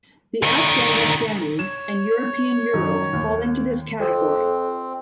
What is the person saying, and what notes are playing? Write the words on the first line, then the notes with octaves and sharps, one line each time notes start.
The Afghan afghani and European euro fall into this category.
D3 D#3
C#5 E7
F#2 D#3
D#2
F2 C4